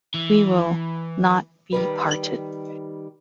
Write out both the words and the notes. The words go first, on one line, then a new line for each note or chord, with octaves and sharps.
We will not be parted.
E3
D#3 G3 B4